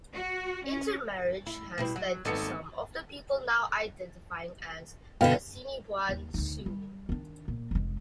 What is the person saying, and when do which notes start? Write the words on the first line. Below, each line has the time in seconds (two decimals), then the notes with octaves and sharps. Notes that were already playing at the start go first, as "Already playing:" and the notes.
Intermarriage has led to some of the people now identifying as "Assiniboine Sioux".
0.14 F#4
0.66 C#4
1.47 E4
1.78 B2 G3 E4
1.96 F#3
2.25 G#1 B3 D#4 A4 C#7
5.21 B2 D3 B4 F5 G5
6.09 D#2
6.34 D2 D#4
6.66 G3
7.09 D#3 D4
7.48 A#2
7.71 F1 G#3